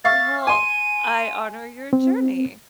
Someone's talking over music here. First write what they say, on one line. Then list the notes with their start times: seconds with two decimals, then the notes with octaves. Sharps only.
Well, I honor your journey.
0.04 E5 F5 C#6 A6
0.47 G#5 C6 D#7
1.93 C4